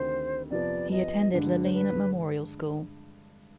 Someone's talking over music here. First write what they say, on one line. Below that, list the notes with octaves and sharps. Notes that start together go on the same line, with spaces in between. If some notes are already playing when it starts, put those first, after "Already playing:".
He attended Lelean Memorial School.
Already playing: D2 C3 D#3 C5
F2 C3 F3 B3 D5
D#5
G2 D3 G#3
C5
B4